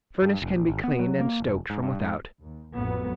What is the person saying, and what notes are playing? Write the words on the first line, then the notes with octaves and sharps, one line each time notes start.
The furnace can be cleaned and stoked from without.
G2
F1
A#1
G#1
B3
F#3
A#3
F1
G#2
G2
G#2
D#2
A1 F2 F#3 B3